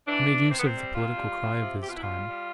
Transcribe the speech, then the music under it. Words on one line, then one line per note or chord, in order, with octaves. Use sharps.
He made use of the political cry of his time.
E3 D4
E3
C3 C4
B3
C4
G3
C3 F4
G3
C3
C3
B2 G4
F4
E4
G3 F4
G3